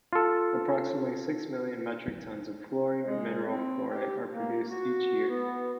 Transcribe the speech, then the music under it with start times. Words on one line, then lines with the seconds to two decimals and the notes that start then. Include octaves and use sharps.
Approximately six million metric tons of the fluorine mineral fluorite are produced each year.
0.13 F4 A4
3.05 G#3
3.46 C4
3.88 G4
4.31 A#3
4.68 F#4
5.27 B3